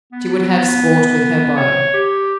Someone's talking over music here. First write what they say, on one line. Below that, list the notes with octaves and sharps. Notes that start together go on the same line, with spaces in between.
She would have sport with her bow.
B3
C#5
G4